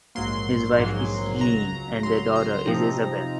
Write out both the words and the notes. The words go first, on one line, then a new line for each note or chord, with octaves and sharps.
His wife is Jean, and their daughter is Isabel.
A#1 G#2 F#3 A#3 C6
A#1 G#2 F#3 A#3
C#2 C#3 F#3 A#5
C#2 C#3 F#3 C6
A#5
C3 F3 C4 D#4